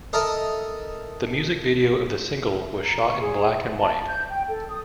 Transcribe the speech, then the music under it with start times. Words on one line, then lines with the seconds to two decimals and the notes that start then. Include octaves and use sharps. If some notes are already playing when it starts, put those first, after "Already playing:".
The music video of the single was shot in black-and-white.
0.13 A4 A#4 D#5 E5
2.84 A#5
3.04 C#6
3.20 G#4
3.54 D5
3.79 A5
4.07 G6
4.28 G5
4.48 A4
4.69 D#6